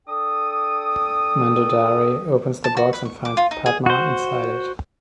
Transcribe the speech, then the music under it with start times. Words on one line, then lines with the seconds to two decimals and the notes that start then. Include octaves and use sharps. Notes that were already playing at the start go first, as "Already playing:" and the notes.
Mandodari opens the box and finds Padma inside it.
0.07 D4 A4 G5 D#6
2.64 A5
2.77 F#4
2.93 B4
3.05 C#6
3.25 D6
3.37 F4
3.51 D#4
3.66 G#4
3.86 F#4 C5